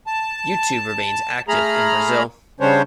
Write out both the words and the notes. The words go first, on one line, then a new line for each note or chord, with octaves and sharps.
YouTube remains active in Brazil.
A5
A3 G#4 A#5 B5 F6
C#3 G3 C#4 D4 C5 C#5